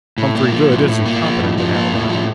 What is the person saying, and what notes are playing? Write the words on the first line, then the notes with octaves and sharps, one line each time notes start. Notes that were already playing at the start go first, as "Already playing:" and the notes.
Humphrey Goode isn't competent to handle that.
A2
A#3
F3
A2
A2
A#3
F3
A2
F3
A#3
A2
F3